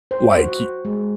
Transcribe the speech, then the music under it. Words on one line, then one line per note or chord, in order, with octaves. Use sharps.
like y
C5
F#4
G#3